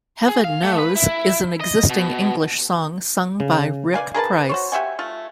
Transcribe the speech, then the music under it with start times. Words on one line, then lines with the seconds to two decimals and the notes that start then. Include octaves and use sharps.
Heaven Knows is an existing English song sung by Rick Price.
0.28 G#4
0.44 F5
0.63 A3
0.78 B4
0.96 E4
1.61 D#5
1.90 B2
3.40 C#3
3.94 B4 D5 F5 G#5
4.14 G#4 A#4 B4 A5
4.49 F#4 C5 C#5
4.72 G4 E5 F#5 G#5
4.99 A3 F4